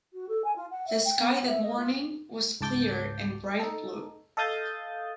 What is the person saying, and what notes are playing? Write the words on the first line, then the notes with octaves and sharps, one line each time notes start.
The sky that morning was clear and bright blue.
F#4
A4
G#5
F4
F#5
E5
G5
B3
F#5
E5
D#5
F4
C#2 G#2 A5 D6 G6
D#4 A4
A4 D#5 F5 D#6 G6 A6